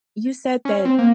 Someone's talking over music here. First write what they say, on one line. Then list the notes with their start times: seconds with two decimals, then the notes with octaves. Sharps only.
You said that
0.65 C#4
0.85 C4
0.99 A#3